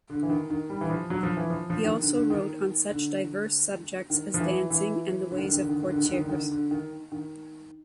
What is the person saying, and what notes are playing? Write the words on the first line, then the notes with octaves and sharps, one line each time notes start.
He also wrote on such diverse subjects as dancing and the ways of courtiers.
D3
E3
D#3
D#3
G3
E3
F3
F#3
F3
E3
F3
F3
D#3
D3
D3
D#3
D3
D#3
F3
E3
E3
D3
D#3
D3
D#3
D3
D#3
D3
D#3
D3
D#3
D3
D#3
D3
D#3
D3
D3
D#3
D#3